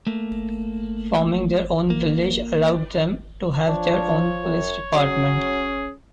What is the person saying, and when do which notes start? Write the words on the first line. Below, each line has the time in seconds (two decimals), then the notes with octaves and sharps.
Forming their own village allowed them to have their own police department.
0.07 A3 A#3
1.90 A#3
3.67 F3 D4 C#5
4.44 F#2
4.95 F#3 C#4 G#4